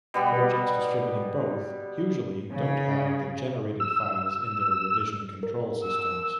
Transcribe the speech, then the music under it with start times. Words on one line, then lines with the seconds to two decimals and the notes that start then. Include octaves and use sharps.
Projects distributing both usually don't have the generated files in their revision control systems.
0.14 B2 G3 B3
2.51 C#3
3.80 E6
5.43 A#4
5.84 E6